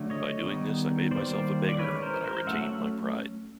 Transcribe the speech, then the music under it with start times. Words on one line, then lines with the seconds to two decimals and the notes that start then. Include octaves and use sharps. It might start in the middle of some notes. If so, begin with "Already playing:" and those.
By doing this I made myself a beggar but I retained my pride.
Already playing: D3 F#3 A3
0.10 C#5 D#5
0.44 D#3 G3 B3 D#4
1.11 D#3 G3 A#3 C5 D5
1.69 D5
1.79 E3 G#3 C#4 B4 C#5
2.02 A#4 C5
2.24 A#4 C5
2.46 F#3 A3 C#4 E5 F#5